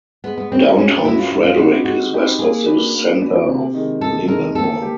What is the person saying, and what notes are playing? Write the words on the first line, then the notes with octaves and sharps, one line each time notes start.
Downtown Frederick is west of the center of Linganore.
G#3 B3
B3
C4 C#4 F#4 B4
C#4
G#3 C#4
D4
C#4 E4 F#4 B4
F4
G#3 F#4
F4
C4 D#4 F#4 G4 B4
G#3 F#4
C4 D#4 G4 B4
A#3 G#4
D4 F#4 B4
A#3
D4 F#4 B4
C3
D#3 G#3
C3 A4
D#3 G#3 A#4
A#3 A4
G4